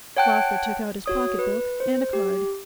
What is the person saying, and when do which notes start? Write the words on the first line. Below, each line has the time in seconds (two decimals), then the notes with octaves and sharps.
Lawford took out his pocket-book and a card.
0.17 C#5 F#5 G5 A5 F#6 D7
1.06 F#4 C#5 D#6
1.39 B4
1.80 C5
2.13 G4